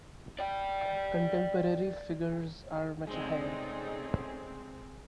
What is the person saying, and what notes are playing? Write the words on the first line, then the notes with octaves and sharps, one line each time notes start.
Contemporary figures are much higher.
D5 G5
C3 G#3 A3 C4 C#4 D#4 G#4 D5